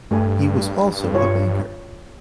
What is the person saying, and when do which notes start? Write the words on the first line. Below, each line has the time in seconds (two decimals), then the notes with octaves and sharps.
He was also a banker.
0.11 G2 A3 G4 G#5
1.15 F4 C#5